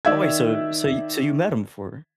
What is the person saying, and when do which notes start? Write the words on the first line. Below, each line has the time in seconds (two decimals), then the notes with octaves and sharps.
Oh, wait, so so y so you met him before?
0.05 D#3 D5 E5 E6 G#6